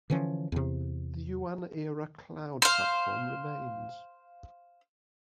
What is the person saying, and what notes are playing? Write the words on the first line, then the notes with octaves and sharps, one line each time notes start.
The Yuan era Cloud Platform remains.
D3 E3 F3 C#4
E2 C3
C5 F5